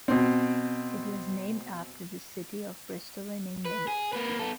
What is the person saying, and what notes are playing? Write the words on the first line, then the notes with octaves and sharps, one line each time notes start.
It was named after the city of Bristol, in England.
B2 C4
B4
G#4
A#3 B4
B3 A4